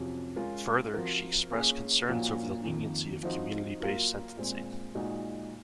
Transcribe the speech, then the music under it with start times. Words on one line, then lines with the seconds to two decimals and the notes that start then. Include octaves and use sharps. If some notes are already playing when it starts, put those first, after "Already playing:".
Further, she expressed concerns over the leniency of community-based sentencing.
Already playing: F2 C3 F#3 C#4
0.36 G#3 C#4 F4 A#4
0.94 F3 C4 F#4 A#4
1.51 A#3 C#4 F4 G#4 C#5
2.09 A#2 F3 A#3 C#4 F#4
2.65 F2 D#3 A#3
3.23 F3 C4 D#4 F#4 C5
3.80 F#3 A#3 F4 A#4 F5
4.37 A#2 G#3 C4
4.95 A#2 G#3 D#4 F#4